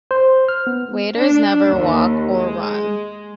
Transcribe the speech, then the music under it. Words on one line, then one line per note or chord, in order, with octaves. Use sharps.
Waiters never walk or run.
C5
F6
B3
D4
D#2
G#3